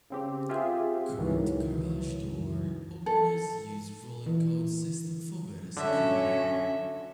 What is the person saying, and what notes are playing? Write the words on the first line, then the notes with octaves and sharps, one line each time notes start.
Current garage door openers use rolling code systems for better security.
C#3 C4 G4
C4 F4 G4 G#4 E5
C#2 D#3 E3 F#3
A4
E3
D3 F#3 C#4 E5